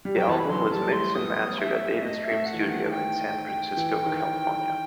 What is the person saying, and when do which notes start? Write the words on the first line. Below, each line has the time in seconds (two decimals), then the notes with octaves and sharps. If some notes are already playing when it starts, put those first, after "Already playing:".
The album was mixed and mastered at Data Stream Studio in San Francisco, California.
0.05 G3
0.16 F#3 G5
0.28 E3 A5
0.39 B5
0.49 F#3 C6
0.71 G3 A5
0.93 A3 C6
1.15 B3 D#6
1.59 E5
2.02 A3 D#5
2.24 E5
2.31 A3
2.45 F#5
2.54 E3
2.61 D#3
2.68 F#5
2.85 A5
2.90 G5
3.77 E3
4.06 D#3